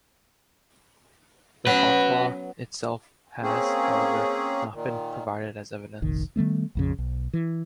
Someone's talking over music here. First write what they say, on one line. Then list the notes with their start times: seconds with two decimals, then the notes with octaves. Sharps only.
The fatwa itself has, however, not been provided as evidence.
1.67 F#3 B3 C#4 F#4 B4
3.43 A#3 C4 C#4 G#4
4.74 A#2 D#3
6.02 F1 A#1 D#3
6.36 D#3 G3 A3 B3
6.75 A#1 F2 C#3
6.99 B1
7.33 E3